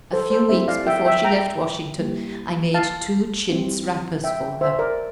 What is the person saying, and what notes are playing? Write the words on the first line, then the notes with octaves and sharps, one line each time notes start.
A few weeks before she left Washington I made two chintz wrappers for her.
A4 C5
A4 C5
C4 E4 G4 C5 E5
D5 F5
E5 G5
E5 G5
G5 A#5
G3 A#3 E4 G4
F5 A5
G3 C4 E4 G4
E5 G5
C5 E5
A#4 D5